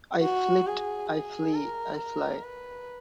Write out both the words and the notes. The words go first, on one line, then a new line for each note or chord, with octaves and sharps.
I flit, I flee, I fly.
F#4
G#4
G#4
A#4
A#4
B4